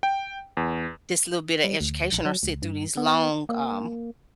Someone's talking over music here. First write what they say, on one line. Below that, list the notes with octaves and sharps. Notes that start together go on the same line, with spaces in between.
this little bit of education or sit through these long, um,
G5
E2
G3
D2
A#1
F#3
C#2
G2
B3
A#3